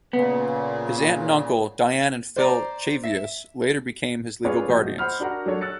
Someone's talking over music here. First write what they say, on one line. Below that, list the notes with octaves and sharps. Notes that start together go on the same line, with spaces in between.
His aunt and uncle, Dianne and Phil Cheavious, later became his legal guardians.
A#2 C#3 B3
C5 D5 A#5
E5
C#4 F4 G#4 B4 C#5 D5
A#1 B2 D#5 G6
C5 F#5 B5 D#6 F6
D4 F#4 A#4 F#5
F#3 D4 A4 C#5
E6 F#6 A6 C#7